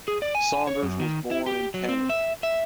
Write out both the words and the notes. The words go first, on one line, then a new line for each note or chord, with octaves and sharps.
Saunders was born in Canada.
G#4
D5
G#5
C#5
F#2
D#3
E4
G4
F#3
C4
E5
E5